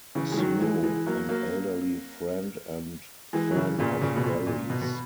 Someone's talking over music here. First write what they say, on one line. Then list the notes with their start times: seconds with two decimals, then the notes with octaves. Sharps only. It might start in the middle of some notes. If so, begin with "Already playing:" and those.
Snow, an elderly friend and fan of Barrie's.
0.15 C#3 E3
0.32 G#3
0.37 D#3 F#3
0.61 E3 G#3
0.83 E3 G#3
1.06 F#3 A#3
1.29 F#3 A#3
3.33 E3 G#3
3.51 F#3
3.57 C#3 E3
3.78 A#2 C#3
4.01 A#2 C#3
4.16 B2
4.24 A#2
4.47 A#2
4.70 B2
4.81 B2